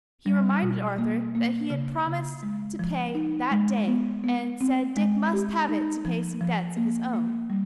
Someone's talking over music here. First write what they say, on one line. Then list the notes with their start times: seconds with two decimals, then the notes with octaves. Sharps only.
He reminded Arthur that he had promised to pay that day, and said Dick must have it to pay some debts of his own.
0.26 G3
0.63 B2
0.98 A#3
1.35 A#3
1.70 C#3
2.07 C#3
2.43 G#3
2.79 F3
3.15 D#4
3.51 G#3
3.88 B3
4.24 B3
4.61 C4
4.97 G#3
5.33 G4
5.69 D#4
6.05 F3
6.41 F3
6.77 A#3
7.13 A#3
7.50 G3